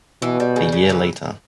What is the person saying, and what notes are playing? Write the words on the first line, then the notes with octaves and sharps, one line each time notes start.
A year later.
B2 E3
G3
C#3
C#3
E3